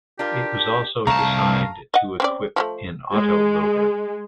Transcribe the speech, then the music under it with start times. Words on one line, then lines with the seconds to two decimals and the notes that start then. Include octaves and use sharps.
It was also designed to equip an autoloader.
0.19 D4 F4 G4 A#4
1.07 C2 A3 F5 A5 A#5
1.94 D#5 F#5
2.20 C4 C#4 D5
2.56 F3 G3 A3
3.12 G#3